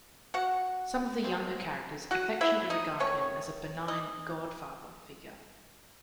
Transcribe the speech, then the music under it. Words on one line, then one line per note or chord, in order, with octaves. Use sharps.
Some of the younger characters affectionately regard him as a benign 'godfather' figure.
F#4 F#5
C3 D#3 G#3 C4
F#4 F#5
E4 E5
D#4 D#5
D#3 A3 C#4 C#5
D#4 D#5